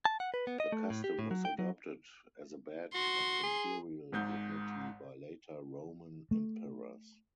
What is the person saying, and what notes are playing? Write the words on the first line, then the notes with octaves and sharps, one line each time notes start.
The custom was adopted as a badge of imperial dignity by later Roman emperors.
A5
F#5
B4
B3
D#5
A3
A2
G4
A2
F#3
G5
F#3
F#4 C6
G#4
G#1 G#2 G6
A3